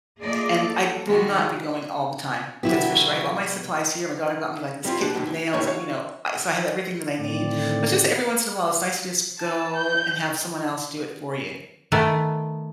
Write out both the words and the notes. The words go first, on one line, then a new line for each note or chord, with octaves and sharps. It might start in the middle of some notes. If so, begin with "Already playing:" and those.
And I will not be going all the time, that's for sure. I have all my supplies here, my daughter got me, like, this kit for nails and, you know, I so I have everything that I need. But just that every once in a while, it's nice to just go and have someone else do it for you.
F3 A3 A#3 G#4 D5 D#5
A4
D#3 G3 G#3 F#4
B2 D3 F#3 B3 E4 G4
G3 C4 E4 F4
B2 D4 F#5
F#2 A2
E3
D#2 A2 D3 G3 C#5 A5
F#4 C#5 F5
A2 D3 D#3 C4 D5
A5
G6
D#3 A3 B3